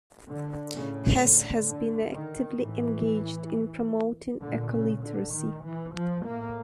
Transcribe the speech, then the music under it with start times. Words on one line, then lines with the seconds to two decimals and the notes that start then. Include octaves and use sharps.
Hass has been actively engaged in promoting ecoliteracy.
0.28 D3
0.74 A2 C#3
1.20 D3
1.66 D3
2.11 D#3
2.57 A2 E3
4.41 A#2 D3
4.72 C#3
5.03 D3
5.33 D#3
5.64 E3
5.95 F3
6.25 A2 A#3